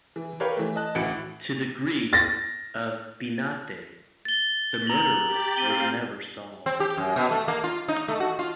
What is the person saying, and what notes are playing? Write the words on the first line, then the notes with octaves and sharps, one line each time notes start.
To the grief of Benante, the murder was never solved.
E3
G4 A#4 B4 C#5 F5
E3 A3
D#5 A5 F#6
A1 D2 A2 F#4 C#7 D7
A6 A#6
A6 G7
A#5 F#7
G4 A6
C4 F5 D#7 G7
C4
G4
F#2
B2
A3
A#3
F4
D#4
A3
F#4
F4